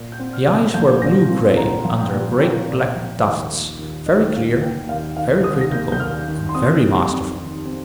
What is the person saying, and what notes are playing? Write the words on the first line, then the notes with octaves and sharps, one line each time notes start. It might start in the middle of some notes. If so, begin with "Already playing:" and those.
The eyes were blue-gray under great black tufts, very clear, very critical, and very masterful.
Already playing: A#2
G6
C4
F6
A#2
F3 G6
A#2 A#6
C4
A#2 A#5
F3
G5
A#2
C4 G5
A#2
F3
D#2
A#3
D#2
D#3 D#5
G5
D#2 F5
A#3 G5
D#2 F5
D#3 F5
D#2 D#6
A#6
A#3 G6
G6
D#2 F6
D#3
C6
C4 D#6
G3
F2
D#3
C4